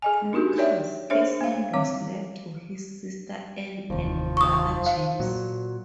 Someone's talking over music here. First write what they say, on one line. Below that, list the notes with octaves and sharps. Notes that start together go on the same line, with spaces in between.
Lucas, his land was left to his sister Anne and brother James.
G#4 D#5 G#5
D4 D#4 F#4 G4 A#4
A#4 C#5 D5 E5 G5
D4 G#4 C5 C#5 E5
A#3 F5
G3 C4 C#5 F5 D6
F1 D#2 F3
C#6 D#6
F5
A#2 F#3